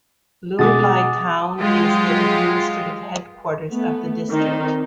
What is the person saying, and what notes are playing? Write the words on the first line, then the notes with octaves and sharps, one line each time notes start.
Lunglei town is the administrative headquarters of the district.
B2 G#3 D6 D#6 A6
F#3 G#3 F4 G4
A3 B3
D#3 C4 D#4 D5